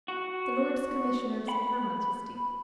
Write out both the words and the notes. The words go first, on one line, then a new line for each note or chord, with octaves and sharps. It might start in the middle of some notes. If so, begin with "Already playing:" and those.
"The Lords Commissioners of her Majesty."
F#4
B5